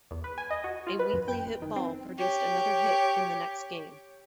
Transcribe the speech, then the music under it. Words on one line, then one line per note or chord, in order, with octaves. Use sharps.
A weakly hit ball produced another hit in the next game.
E2
B4
G#5
D#5
F#4
F4
B4
F#2
G5
G1
D#3
C4
G4 C#5